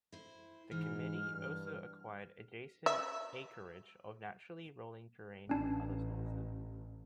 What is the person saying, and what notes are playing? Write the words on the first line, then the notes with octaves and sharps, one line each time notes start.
The committee also acquired adjacent acreage of naturally rolling terrain from other sources.
E4 C5
G#2 E3 F6
G2
E5
A1 C#4 D4